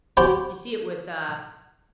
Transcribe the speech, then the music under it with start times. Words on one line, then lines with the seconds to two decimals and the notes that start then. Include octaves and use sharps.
You see it with uh,
0.17 F#4 G4 C5 G#5 B5